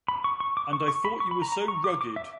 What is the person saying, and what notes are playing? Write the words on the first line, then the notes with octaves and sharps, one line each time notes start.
And I thought you were so rugged!
B5
C#6
C#6
D6
C#6
C#6
B5
C#6
B5
A#5
A#5
C#6
D6
D6
E5